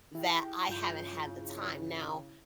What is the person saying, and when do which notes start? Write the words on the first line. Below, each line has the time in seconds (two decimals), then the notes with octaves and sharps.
that I haven't had the time. Now
0.15 E4 G4 G#4 G5
0.69 G2 C#3 F4 G6